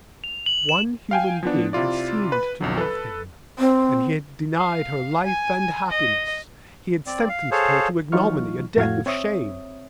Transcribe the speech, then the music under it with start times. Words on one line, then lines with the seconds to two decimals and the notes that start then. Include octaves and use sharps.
One human being had seemed to love him and he had denied her life and happiness: he had sentenced her to ignominy, a death of shame.
0.24 F7
0.46 F#7
0.69 E7
1.11 F5 G5 G#5
1.43 F3 B3 D4
1.73 C3 E4 F4 D5
2.32 B4
2.61 B1 F2 F#3
2.78 A4 B4
3.59 C4
4.58 F5
5.24 G#5
5.90 D#5
7.06 C4 D5
7.29 F5
7.51 G#4 A4 C5 C#5 F5
8.12 E3 F#3 D#4 F4 C#6 F6
8.77 F2 A2 F#4 F5 G#6
9.06 C4 C#5 E5 D#6